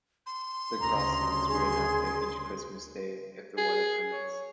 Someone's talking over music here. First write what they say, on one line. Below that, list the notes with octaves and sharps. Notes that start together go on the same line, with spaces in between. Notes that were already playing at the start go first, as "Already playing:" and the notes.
The crossing is re-enacted each Christmas Day if the weather permits.
C6
D2 C#3 A#5
G#4
G#4
C#5